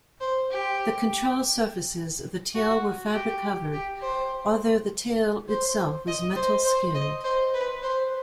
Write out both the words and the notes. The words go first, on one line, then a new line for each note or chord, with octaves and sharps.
The control surfaces of the tail were fabric-covered although the tail itself was metal-skinned.
C5
G4
F#4
G4
G4
C5
C5
D#5
C5
C5
D#5
C5
B4
C5